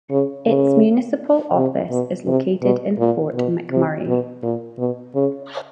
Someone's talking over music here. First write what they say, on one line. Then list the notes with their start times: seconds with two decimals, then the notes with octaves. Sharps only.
Its municipal office is located in Fort McMurray.
0.11 C#3
0.47 C#3
1.55 C3
1.91 B2
2.27 C3
2.62 B2
2.99 A#2
3.34 B2
3.71 C3
4.07 B2
4.43 A#2
4.78 B2
5.15 C#3